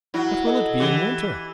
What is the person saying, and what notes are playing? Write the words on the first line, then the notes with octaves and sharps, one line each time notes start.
"What will it be in winter?"
F#3 E4
A4 D#5
E3 G4